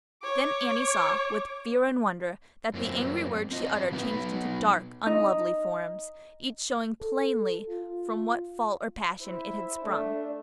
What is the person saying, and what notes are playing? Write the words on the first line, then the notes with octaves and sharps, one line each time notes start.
Then Annie saw, with fear and wonder, that the angry words she uttered changed to dark, unlovely forms, each showing plainly from what fault or passion it had sprung.
C#5 D6
F#2 A#3 C4
C4 F4 D#5
B2 F#3 B3 D#4 B4
D#4
A4
F4
E4 C5
A3 D4